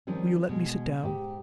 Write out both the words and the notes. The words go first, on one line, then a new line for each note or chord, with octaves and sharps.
Will you let me sit down?
D#3 F3 G3 C4 C#4
B2 G#3
G#2 G4